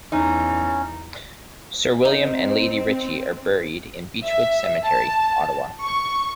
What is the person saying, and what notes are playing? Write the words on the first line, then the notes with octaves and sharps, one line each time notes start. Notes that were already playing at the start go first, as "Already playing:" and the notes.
Sir William and Lady Ritchie are buried in Beechwood Cemetery, Ottawa.
E2 C#4 D#4
C4 D#4
E5
A5
C#6